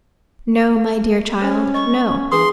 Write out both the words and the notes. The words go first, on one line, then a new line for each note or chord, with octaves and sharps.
No, my dear child; no.
C#4 C5
D#5 C#6
C#4
E3 D4 G#4 B4 C6 D#6